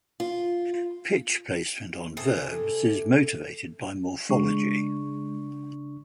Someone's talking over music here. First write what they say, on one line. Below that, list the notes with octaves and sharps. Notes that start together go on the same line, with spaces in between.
Pitch placement on verbs is motivated by morphology.
F4
C3 G#4 A4
C#3 G#3 D4 C#6